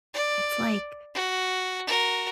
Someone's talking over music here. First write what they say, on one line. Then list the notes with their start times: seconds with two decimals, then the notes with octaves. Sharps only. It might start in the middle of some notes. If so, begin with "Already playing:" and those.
it's like
0.14 D5
1.14 F#4
1.87 F#4 A#4